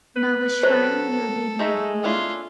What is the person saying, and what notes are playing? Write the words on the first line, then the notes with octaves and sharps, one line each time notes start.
Now a shrine will be built there.
B4
F#3 A4 C5
G#3 A3 D#4 E5
C#4 D4 E4 F4